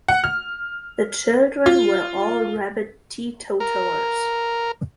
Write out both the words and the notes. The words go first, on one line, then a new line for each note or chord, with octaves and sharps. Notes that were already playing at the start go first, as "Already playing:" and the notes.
The children were all rabid teetotallers.
F#5
F6
F4
A#4